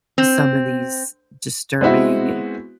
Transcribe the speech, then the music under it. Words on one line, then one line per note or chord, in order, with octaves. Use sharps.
some of these disturbing,
C4
G#3 B3 C4 E4 F#4